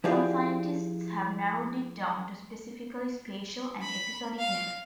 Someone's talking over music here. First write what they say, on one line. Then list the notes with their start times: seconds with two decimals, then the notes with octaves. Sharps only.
Some scientists have narrowed it down to specifically spatial and episodic memory.
0.04 F3 E4 G4 G#4 D5 F5
3.82 B5
4.39 F5